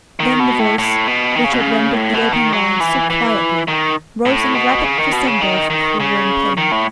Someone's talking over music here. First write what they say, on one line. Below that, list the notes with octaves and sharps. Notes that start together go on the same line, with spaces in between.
Then the voice, which had rendered the opening lines so quietly, rose in a rapid crescendo of quivering pain.
D#3
B2
A2
A2
B2
D#3
C#3
B2
C#3
A2
B2
D#3
F#3
E3
E3
D#3
A2
B2
C#3
D#3
B2
C#3
D#3
D#3
C#3
D#3
A2